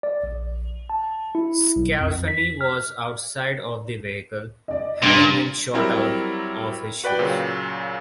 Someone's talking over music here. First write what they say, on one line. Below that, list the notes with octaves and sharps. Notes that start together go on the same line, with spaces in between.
Sclafani was outside of the vehicle, having been shot out of his shoes.
D5
A#1
A5
E4
B1
F2
B6
F6
D5 D#5
G2 A#2 F7
F#3 G3 C4 E4 A#4
F#4 B4 D5 G5
A#2 C#3 F#3